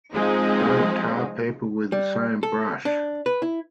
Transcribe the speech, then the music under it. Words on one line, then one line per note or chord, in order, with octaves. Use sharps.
Don't tar people with the same brush.
F3 G#3 C4 D#4
G3
A4
D4
B4
E4